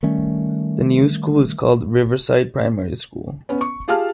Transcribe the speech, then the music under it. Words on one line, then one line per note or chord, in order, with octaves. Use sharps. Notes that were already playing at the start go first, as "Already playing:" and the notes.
The new school is called Riverside Primary School.
D#3 G3 A3 C#4
B3 C#4
C#6
F4 G4 G#4 F5 A5 F6